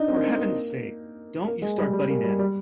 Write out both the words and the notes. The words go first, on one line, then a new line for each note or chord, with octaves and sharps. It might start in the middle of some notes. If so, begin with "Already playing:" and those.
For heaven's sake, don't you start butting in.
Already playing: D4 D#4
C4
A#3
C4
A#3
A#3
G#3
G3
G3
A#3
G3
G3